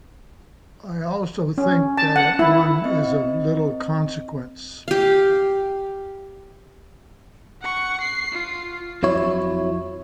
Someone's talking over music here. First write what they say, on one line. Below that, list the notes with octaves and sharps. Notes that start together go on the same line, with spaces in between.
I also think that it won is of little consequence.
C#4
A5
F#5
E4
C4 D#5
G4 F5
F#5 C#6
C7
F4
F2 F#3 E4 C#5